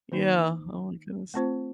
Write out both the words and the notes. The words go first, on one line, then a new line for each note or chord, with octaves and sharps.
Yeah, oh my goodness.
D#3 A#3 D#4
A3 C4 F4 C5